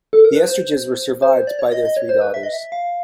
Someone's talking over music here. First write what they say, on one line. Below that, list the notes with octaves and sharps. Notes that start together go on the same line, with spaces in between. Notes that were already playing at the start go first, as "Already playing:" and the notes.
The Estridges were survived by their three daughters.
A4
A#4
B4
C5
C5
D5
C#5
D#5
D#5
C#5
C5
B4
E5
D#5
E5
F5